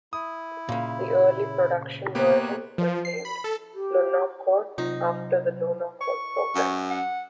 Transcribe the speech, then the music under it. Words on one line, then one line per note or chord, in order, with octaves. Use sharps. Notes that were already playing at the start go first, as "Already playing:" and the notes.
The early production version was named "Lunokhod" after the Lunokhod programme.
E4 D#6
A#2 C#3
C3 A#3 B3 G4 C#5 F#6
F3
C7
B5
A4
G4
C3 F#3 D#4 F4 C5
C#6
F#2
F#5